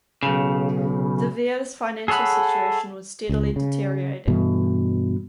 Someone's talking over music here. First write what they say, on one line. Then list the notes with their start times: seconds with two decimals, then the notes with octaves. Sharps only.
De Vere's financial situation was steadily deteriorating.
0.23 B1 C#3
2.08 G#4 A4 C#5 F#5 B5
3.29 C#2
3.56 C#3
4.27 G2 B2 E3 A3